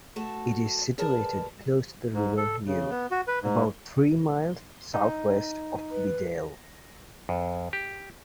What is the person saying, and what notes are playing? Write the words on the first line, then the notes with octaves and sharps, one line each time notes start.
It is situated close to the River Ure, about three miles south-west of Bedale.
A3 F#4 A4
G#4 A#4 B4 D5 A5
G#2
A4
C#3
B3
F#4
B4
G#2
D#4
B4
F2
G4